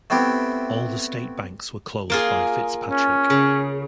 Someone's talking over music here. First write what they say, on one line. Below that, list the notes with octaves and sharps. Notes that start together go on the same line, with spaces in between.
All the state banks were closed by Fitzpatrick.
A3 B3 C4 E4 G4
A#3 F4 G#4
C#4
C#3